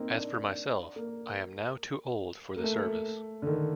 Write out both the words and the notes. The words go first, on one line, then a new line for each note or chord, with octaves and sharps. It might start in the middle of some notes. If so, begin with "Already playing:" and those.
As for myself, I am now too old for the service.
Already playing: A#3 C4 D#4
D4
A#3
A#3
A3
D3
D#3